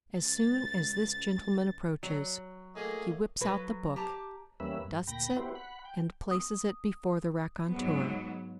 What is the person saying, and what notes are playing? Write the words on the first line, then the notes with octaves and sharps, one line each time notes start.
As soon as this gentleman approaches, he whips out the book, dusts it, and places it before the raconteur.
C#2 A6
F#3
A2 A3 A#3 G#4 D#5
F#3 B4
G4 A5 A#5
E2 G3 A#3 C#4 B4 E5
G2
D2 A#2 G5 B5 A#6
B3 E4 F#4 G4 B4 C5
F#5 B5
G5
D#6
G#2 F#3 B3